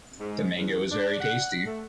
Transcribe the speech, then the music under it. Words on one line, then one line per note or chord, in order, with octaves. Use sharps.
The mango was very tasty.
G#2
E2
D4
F#5
A3